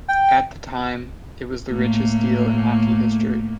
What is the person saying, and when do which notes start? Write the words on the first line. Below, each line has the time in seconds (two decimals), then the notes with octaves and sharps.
At the time, it was the richest deal in hockey history.
0.08 G5
1.72 A2 A3 A#3